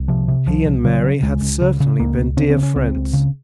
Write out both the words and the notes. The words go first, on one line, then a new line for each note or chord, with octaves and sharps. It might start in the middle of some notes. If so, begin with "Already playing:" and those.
He and Mary had certainly been dear friends.
Already playing: C2
C3 F3
C3
C2 F3
C2
C#3 F#3
C#3
C#2 G#3
C#2
C#3
C#3
C#2 A#3
C#2
C#3 C4
C4
C#3
C#4
C#2 C4
C#2
C#3